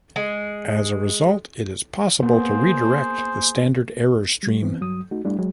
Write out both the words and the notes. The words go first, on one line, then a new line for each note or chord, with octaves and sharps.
As a result, it is possible to redirect the standard error stream.
G#3
A#3 B3 G#4 C5
G3
E3 B3 C4
G2 F#3 D#6
A3 D#4 F#4
G3 A3 D4 E4
F#3 G#3